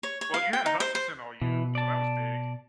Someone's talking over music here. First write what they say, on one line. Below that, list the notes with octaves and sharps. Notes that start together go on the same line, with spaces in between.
Well, you had Hutchinson all year, so that was big
C#5
C#5
F5
G5
D#4
C5
C5
B2 E3
D5 A5